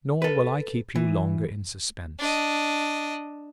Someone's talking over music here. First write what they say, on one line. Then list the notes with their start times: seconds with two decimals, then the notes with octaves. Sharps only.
Nor will I keep you longer in suspense.
0.22 A4 B4
0.96 E3
2.19 D4 D#5